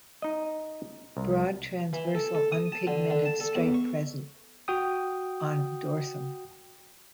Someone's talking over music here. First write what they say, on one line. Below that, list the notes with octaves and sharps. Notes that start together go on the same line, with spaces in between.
Broad transversal unpigmented stripe present on dorsum.
D#4 D#5
C2
E3
A4
A4
D#6
A5
D3
D3
A5
A4
E2
C#6
F#4 G5 D#6